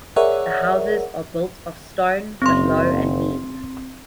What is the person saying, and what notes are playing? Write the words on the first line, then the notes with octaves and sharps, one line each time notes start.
The houses are built of stone, but low and mean.
G#4 A#4 C#5 D5 E5 F#5
F#1 C4 C6